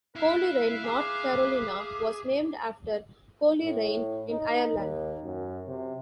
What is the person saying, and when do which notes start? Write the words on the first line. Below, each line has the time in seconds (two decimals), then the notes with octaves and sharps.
Colerain, North Carolina, was named after Coleraine in Ireland.
0.15 E4 B4 E5 F5
0.84 G#4 D6
3.63 A2
4.29 D#4
4.77 D#2
5.23 F#2
5.67 C3